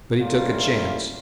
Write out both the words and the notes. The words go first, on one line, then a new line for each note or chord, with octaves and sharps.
But he took a chance.
G3 A3 A#3 C#4 E4 F4